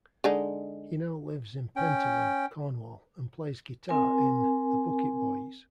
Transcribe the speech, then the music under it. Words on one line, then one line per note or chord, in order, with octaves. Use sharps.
He now lives in Pentewan, Cornwall, and plays guitar in The Bucket Boys.
D3 G#3 D#4
C#4 G5
C4 A#4 G#5